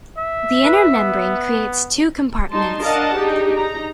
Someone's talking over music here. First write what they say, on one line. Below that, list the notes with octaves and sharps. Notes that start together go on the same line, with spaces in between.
The inner membrane creates two compartments.
E5
B4
B3
G3 D#4 A5 C6
D4 A#4 D#5 F5 F#5 A5
D4 D#4 G4 G#4
D#4 A#5